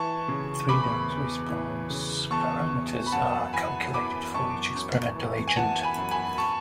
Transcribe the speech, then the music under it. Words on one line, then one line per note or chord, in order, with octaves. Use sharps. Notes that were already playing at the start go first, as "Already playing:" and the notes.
Three dose response parameters are calculated for each experimental agent.
Already playing: E3 A5 C#6
C#3
E2 B5 D6
E2
E3
C#3
E2 A5 C#6
E2
B5
F#2 F#5 A5
E3 G#5 B5
E3 B5 D6
F#2 A5 C#6
F#2
E3
G#5
E3 F#5 A5
G#5 B5
F#2
G#5 B5
A5 C#6